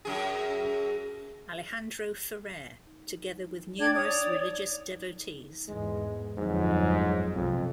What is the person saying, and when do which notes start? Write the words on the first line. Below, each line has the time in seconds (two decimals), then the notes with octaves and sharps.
Alejandro Ferrer, together with numerous religious devotees.
0.05 F#2 G#4
3.79 D4 D5 G5 G#6
3.95 C#5 D5 D#6
5.68 E2 G#2 G#3
6.38 G1 F2 G#2 F#3
7.35 B1 F2 C3